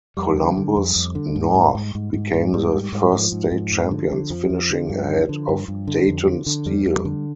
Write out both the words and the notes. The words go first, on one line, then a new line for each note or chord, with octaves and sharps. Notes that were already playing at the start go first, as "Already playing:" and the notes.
Columbus North became the first state champions, finishing ahead of Dayton Steele.
F2 G3
D3
D3
F2
F2
D3
G#2
G#2
G#2
G#2
G#2
G#2
G#2 G3
G#2
G#2
G#2 F3
G#2
G#2
F2
D3
D3
F2 F3
F2
D3
G2
D3
D3
G2
G2
D3
F2
D3
D3
F2 G3
F2
D3